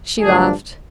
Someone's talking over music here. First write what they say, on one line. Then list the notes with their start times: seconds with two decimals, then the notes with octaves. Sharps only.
She laughed.
0.19 G2 D3 F3 A3 D4 G#4